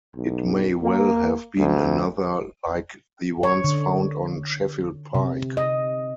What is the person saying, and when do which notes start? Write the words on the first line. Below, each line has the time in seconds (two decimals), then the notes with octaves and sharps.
It may well have been another like the ones found on Sheffield Pike.
0.16 B1
0.83 A#3
1.58 D2
3.43 C#5
3.64 D3
5.15 C3
5.57 D#5